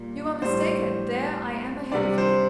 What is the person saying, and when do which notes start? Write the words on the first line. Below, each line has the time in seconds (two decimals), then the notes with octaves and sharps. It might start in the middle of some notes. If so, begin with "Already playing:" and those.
"You are mistaken; there I am ahead of you."
Already playing: A#2 G3 A#3
0.42 A2 G3 D4 C5
1.92 C3 G3 D4 D5
2.18 C5